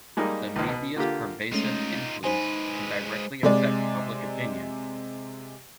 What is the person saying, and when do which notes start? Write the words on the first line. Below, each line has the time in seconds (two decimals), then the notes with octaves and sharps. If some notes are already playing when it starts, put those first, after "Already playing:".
The media's pervasive influence can directly affect public opinion.
0.17 G3 G#3 A#3 D#4
0.56 G#1 C#2
0.68 B2
0.96 D3 A#3 F4 G4
1.52 G#3 A3 C#4 D#4 F4
2.24 G#3 D#4 B4 C5 G#5
3.43 C3 G#3 D5